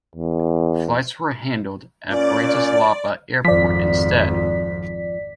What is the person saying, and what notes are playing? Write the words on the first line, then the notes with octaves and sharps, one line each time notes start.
Flights were handled at Bratislava Airport instead.
E2
A#2 C#4 D5
G#1 F2 F3 D5 B6